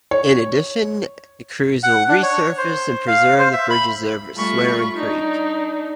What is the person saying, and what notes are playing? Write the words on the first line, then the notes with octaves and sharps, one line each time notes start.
In addition, crews will resurface and preserve the bridges over Swearing Creek.
C#5
F#5
D4
C#5
C5
F5
C5
E5
B5
G3 A3 F4 B5 C#6
D4 D#4